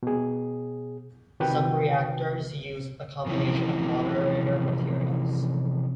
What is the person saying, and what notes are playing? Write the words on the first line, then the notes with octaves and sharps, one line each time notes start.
Some reactors use a combination of moderator materials.
B2 G#4
C3 D#3 F#4 B4 G5
C3 E3 F3 C#4 E4